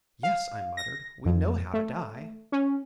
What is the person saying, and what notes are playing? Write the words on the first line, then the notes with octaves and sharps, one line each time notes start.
"Yes," I muttered, "we know how to die!"
F5
A#6
F2
A3
C#4